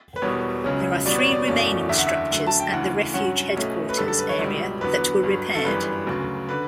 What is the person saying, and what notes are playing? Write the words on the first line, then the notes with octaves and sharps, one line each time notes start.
There are three remaining structures at the refuge headquarters area that were repaired.
B4
E1 E2 B2 G3 B3 C#5
C#2 C#3 F#3 C#4
E2 B2 G3 B3 D5
C#5
D5
F#1 E2 B2 A3 C#4
F#1 E2 D3 E5
F#5
E5
D2 D3 F#3
A5
G5
D2 C#3 E3 F#5
G2 F#3 C#4 F#5
B1 B2 A3 C#4
B4
F#2 D3 G3 A4
A4
B4
C#5
C#2 B2 G3
E2 D3 F#3 B3 B4
G1 G2 F#3
A4
G1 F#2 E3 G3 B4
D2 C#3 F#3
D3 B4